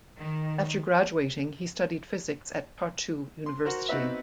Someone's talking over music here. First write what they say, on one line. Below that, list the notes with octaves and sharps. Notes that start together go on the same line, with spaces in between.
After graduating he studied physics at Tartu University.
D#3
C6
F#4 A#4 C5
B3 C4 D#4 F#4 B4 E5